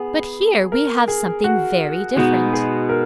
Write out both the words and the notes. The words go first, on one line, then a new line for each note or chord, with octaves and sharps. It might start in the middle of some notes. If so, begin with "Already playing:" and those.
But here we have something very different.
Already playing: B3 G#4
A#4
G#4
F#4
B2 G#3 B3 D#4 F#4
G#4
A#4